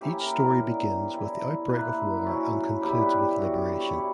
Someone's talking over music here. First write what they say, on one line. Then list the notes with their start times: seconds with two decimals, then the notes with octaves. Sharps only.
Each story begins with the outbreak of war and concludes with liberation.
0.01 A#3 C#4 E4 G4
0.20 A#4
0.39 A#4
0.57 G3 B3 D4
1.13 G3 C#4 E4
1.69 A#3 E4 B4
2.26 F#3 C#4 E4
2.82 G3 B3 E4 G4
3.01 B4
3.19 G4
3.38 F#3 B3 D4 F#4
3.52 G4
3.65 B4
3.80 C#5
3.93 F#3 C#4 E4 D5